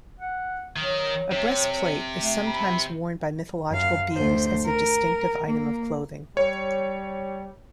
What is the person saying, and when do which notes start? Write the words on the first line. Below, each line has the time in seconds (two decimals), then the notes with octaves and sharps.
A breastplate is sometimes worn by mythological beings as a distinctive item of clothing.
0.20 F#5
0.76 D#3 F#3
1.31 C3
2.20 A3
2.46 B5
3.69 F#2 F5
4.12 D2 C5
4.65 A#4
5.46 A#3
6.37 G3 C#5